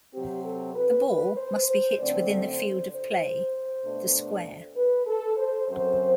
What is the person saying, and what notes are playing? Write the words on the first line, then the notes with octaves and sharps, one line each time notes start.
The ball must be hit within the field of play - the square.
C3 F#3 C4 G4
A4
B4
B4
C5
C5
F#2 D3 A3 C4 D5
C5
C5
B2 A3 D4
B4
A4
C5
F#2 F#3 C4 C5